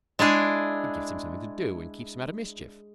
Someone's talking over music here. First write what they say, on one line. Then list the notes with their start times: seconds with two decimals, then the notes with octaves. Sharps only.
It gives him something to do and keeps him out of mischief.
0.19 G#3 D4 E4 G#4